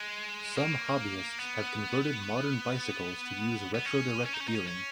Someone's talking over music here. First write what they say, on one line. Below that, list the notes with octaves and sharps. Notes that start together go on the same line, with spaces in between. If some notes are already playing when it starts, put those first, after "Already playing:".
Some hobbyists have converted modern bicycles to use retro-direct gearing.
Already playing: G#3
A#3
B3
B3
C#4
C#4
D#4
C#4
D#4
C#4
C#4